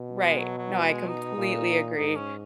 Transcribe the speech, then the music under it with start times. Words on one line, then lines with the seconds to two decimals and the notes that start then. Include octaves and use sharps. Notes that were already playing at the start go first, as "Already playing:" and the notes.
Right, no, I completely agree.
Already playing: B2
0.20 G#3
0.38 F#3
0.58 F#3
0.79 G#3
1.08 D#4
1.37 A#2
1.97 G#2 D#4
2.16 C#4